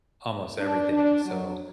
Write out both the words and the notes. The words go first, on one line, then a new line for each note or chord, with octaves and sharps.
almost everything, so,
D4
D4
F#3